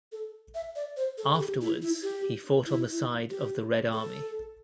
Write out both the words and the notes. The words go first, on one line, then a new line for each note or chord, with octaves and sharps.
Afterwards, he fought on the side of the Red Army.
A4
E5
D5
C5
A4
A4
G4
E4
E4
G4
E4
E4
G4
A4